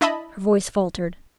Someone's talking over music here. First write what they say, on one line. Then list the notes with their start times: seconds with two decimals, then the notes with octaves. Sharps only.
Her voice faltered.
0.01 D4 E4 D#5 E5 A5 B5